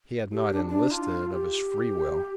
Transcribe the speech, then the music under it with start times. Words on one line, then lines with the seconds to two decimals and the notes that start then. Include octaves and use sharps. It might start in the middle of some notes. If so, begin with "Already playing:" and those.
He had not enlisted of his free will.
0.32 G4
0.52 D4
0.69 D4
0.91 F4
1.31 G4